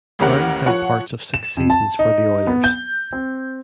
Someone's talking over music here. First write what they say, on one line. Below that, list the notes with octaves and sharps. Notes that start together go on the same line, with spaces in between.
Brown played parts of six seasons for the Oilers.
A1 D#2 C#4 G4 A#4 F#5
F3 C#5 F#5
E7
F2
A5
D#4
B3
G6
C4